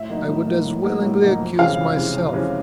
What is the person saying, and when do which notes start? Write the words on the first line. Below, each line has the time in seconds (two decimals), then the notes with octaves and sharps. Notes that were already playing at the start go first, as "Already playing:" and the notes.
I would as willingly accuse myself!
Already playing: A2 E5
0.09 F#3 A#3 D#4
0.28 A2
0.46 F#3 A#3 D#4
0.65 A2
0.84 F#3 A#3 D#4
1.02 A2
1.21 F#3 A#3 D#4
1.40 F2
1.59 C3 E3 G#3 C#4 F5
1.77 F2
1.96 C3 E3 G#3 C#4
2.15 F2
2.33 C3 E3 G#3 C#4